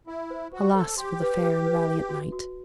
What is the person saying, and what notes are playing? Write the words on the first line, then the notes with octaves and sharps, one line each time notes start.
Alas, for the fair and valiant knight!
E4 E5
C5
F#4 C5
A4 C5
G4 C6
B4
B4
B4
E5
F#4
F#4